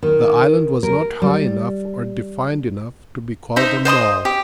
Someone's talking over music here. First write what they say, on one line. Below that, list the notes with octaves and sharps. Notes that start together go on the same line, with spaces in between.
The island was not high enough or defined enough to be called a knoll.
D#3
A#4
G3
D#4 C5 E5
C5 D#5 C6 D#6
G4